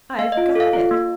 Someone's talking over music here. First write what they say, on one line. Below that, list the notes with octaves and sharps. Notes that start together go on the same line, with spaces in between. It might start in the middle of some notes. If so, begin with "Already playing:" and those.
"I've got it!"
A#3 F5
D#5
F4
A4 F5
F4
A#3